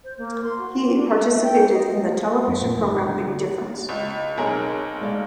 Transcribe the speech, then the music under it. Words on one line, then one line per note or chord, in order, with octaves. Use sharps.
He participated in the television program "Big Difference".
C5
A#3
C6
F#4
D4
A4
E5
G5
D#5
F#2
A#2
F1
G#2
D3
C#2
B1 C4 C#4 G#4 A#4
G#3 D5 F5